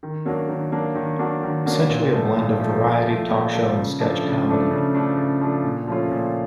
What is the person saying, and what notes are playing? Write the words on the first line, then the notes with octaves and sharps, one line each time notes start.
Essentially a blend of variety, talk show, and sketch comedy.
D#3
F#3 A#3 D4 F#4
D#3
F#3 A#3 D4 F#4
D#3
F#3 A#3 D4 F#4
D#3
F#3 A#3 D4 F#4
A#2
F3 A3
A#2
F3 A3
A#2
F3 A3
A#2
F3 A3
C#3
F3 A3 D4
C#3
F3 A3 D4
C#3
F3 A3 D4
C#3
F3 A3 D4
A#2
F3 A3 C#4 F4
A#2